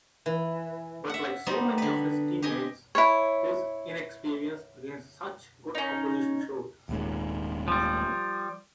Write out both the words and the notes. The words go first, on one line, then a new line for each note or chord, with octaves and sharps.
But like so many of his team-mates, his inexperience against such good opposition showed.
E3
E5 F#5
G3 B3 C4 D#4
D3 B4
G4 D#5 G#5
E4 C#5
C#4 D#4
D#1 G#2
F3 G3